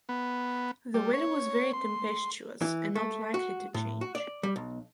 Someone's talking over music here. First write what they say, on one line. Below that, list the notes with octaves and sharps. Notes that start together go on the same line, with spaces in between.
The weather was very tempestuous, and not likely to change.
B3
G3
C#5
C6
E3
A3
F#4
A2
F#4
D5
G3
B1